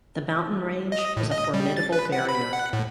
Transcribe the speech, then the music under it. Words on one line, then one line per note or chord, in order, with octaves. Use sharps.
The mountain range was a formidable barrier.
D#5
A2
D#5
G3
A6
B4
F#5
B5
F#5
A2